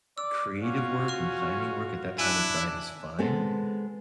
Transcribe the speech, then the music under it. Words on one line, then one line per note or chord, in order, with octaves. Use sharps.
creative work and planning work at that time of night is fine.
D5 E6
C#4 F4 F#4
C#6 F6
D4 E4 G#5 E6 F#6
G#3 B3 C4 A4